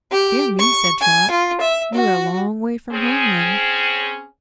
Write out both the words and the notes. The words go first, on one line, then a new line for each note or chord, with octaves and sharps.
"Dear me," said Trot; "you're a long way from home, then."
G4
C#6
G#5
F4
E5
F#4
C4 C#4 G#4